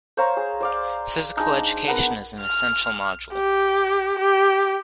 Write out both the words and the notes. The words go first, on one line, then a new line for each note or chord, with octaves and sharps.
Physical Education is an essential module.
C5 C#5 F5 A#5
G#4
C5 D5 F5
G#3 D4 D#4
B3 A#4 F#5
F6
G4
G4